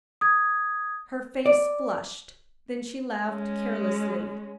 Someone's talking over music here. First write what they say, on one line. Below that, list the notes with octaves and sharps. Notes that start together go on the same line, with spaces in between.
Her face flushed, then she laughed carelessly.
D#6 G#6
D5
G#3 C#4